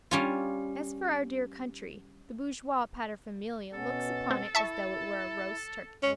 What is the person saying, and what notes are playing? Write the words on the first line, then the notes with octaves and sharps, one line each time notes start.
As for our dear country, the bourgeois paterfamilias looks upon it as though it were a roast turkey.
G3 C#4 F4
B2 B3 C#4 A4
C4
E4 E5 A5 C#6
F#2 G#3 C#4